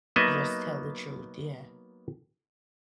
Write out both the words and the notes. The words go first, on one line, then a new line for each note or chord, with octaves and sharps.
You just tell the truth, yeah.
F#3 A#3 B3 D#4 D#5 E5